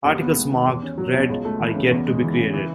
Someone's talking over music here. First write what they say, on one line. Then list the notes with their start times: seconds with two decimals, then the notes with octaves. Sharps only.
Articles marked red are yet to be created.
0.05 D#2
0.21 B3
0.36 G#3
0.52 D#3
0.67 E2
0.83 C#4
0.98 F#3
1.14 B2
1.29 C#2
1.45 A3
1.60 E3
1.76 C#3
1.91 E2
2.07 G#3
2.23 E3
2.38 C#3
2.54 E3